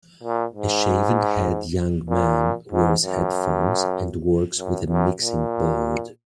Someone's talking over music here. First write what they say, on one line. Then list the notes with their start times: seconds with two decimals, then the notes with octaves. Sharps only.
A shaven head young man wears headphones and works with a mixing board.
0.23 A#2
0.54 G#2
2.09 A#2
2.71 G#2
3.03 F#2
4.58 F#2
4.89 F#2
5.20 A#2